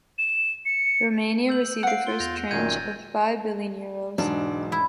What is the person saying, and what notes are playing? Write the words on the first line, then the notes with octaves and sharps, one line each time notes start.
Romania received the first tranche of five billion euros.
E7
C#7
E6 G6 F#7
F5 F#5 F#6 D7
F4 G7
E2 G6 A#6 F7
D#1 F#2 A#2 D#3 G6 G#6 D#7
A6
E1 G#2 F#3 D4
E4